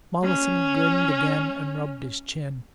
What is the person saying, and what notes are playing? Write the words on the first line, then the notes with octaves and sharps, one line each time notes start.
Mollison grinned again and rubbed his chin.
C#4